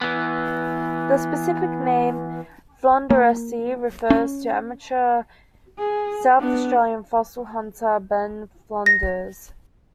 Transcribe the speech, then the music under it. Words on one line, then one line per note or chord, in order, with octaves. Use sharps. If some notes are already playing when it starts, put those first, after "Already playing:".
The specific name "floundersi" refers to amateur South Australian fossil hunter Ben Flounders.
E3 B3
A#3
C#4
G#4
B3 D4
A#6